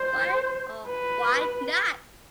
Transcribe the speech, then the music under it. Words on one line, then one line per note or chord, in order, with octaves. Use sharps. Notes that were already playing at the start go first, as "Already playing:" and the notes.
Why or why not?
Already playing: C5
B4